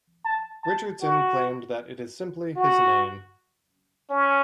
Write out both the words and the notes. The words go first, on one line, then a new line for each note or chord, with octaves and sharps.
Richardson claimed that it is simply his name.
A5
A5
F#4
F#4
C#4